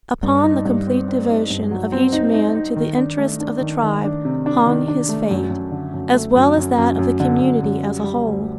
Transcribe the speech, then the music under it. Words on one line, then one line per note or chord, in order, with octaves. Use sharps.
Upon the complete devotion of each man to the interest of the tribe hung his fate, as well as that of the community as a whole.
G2
D#4
G2
C4
C4
D#4
G2
F#3
C4
D#4
D#4
D#4
D#3
D4
A3
D4
D#3
D#3
D4
C3
D4
D#3
D4
A3
F#2
F#2
D3
F#2
A3
F#2
F#2
F#2
F#2
D3
F#2
F#2
G3
G3
D2